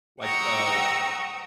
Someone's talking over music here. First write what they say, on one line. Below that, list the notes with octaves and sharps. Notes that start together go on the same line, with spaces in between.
like, a
F#5 G5 A#5 C#6 D#6 E6